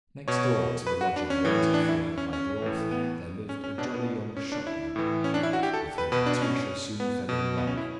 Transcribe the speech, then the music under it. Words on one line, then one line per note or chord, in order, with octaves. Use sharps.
Next door to the lodging rented for her by the author there lived a jolly young shopman, with whom Katusha soon fell in love.
B2 C#5
B4
F#4
D4
C#4
A2 E3
D4
E4
C#4
C#4
A2 E3
B3
C#4
C#4
B2 D4
B3
C#4
D4
E4
A2 E3
C#4
D4
E4
F#4
G4
A4
B4
B2 B4
D4
C#4
B3
B2
B3
C#4
E4